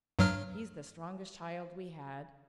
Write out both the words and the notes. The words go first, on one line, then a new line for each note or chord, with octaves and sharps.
He's the strongest child we had.
G2 F#3 F6